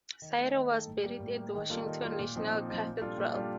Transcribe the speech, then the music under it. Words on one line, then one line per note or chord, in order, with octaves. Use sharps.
Sayre was buried at Washington National Cathedral.
D#3
A3 D#4 A4
D#3
A3 D#4 A4
A2
G3 A#3
A2
G3 A#3
D#3
G3 A#3 F4 A4
D#3
G3 A#3 F4 A4
A#2
F3 C4 D#4
A#2
F3 C4 D#4
A#2
G3 D4 F4 A4
A#2
G3 D4 F4 A4